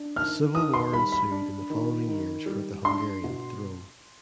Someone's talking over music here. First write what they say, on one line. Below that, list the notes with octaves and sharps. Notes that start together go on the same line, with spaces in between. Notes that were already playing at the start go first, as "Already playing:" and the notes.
A civil war ensued in the following years for the Hungarian throne.
Already playing: D4
D#3 F6
D#3 D#6
C6
G3 B5
B5
D4
D#3
D#3
G3
D4 C6
B2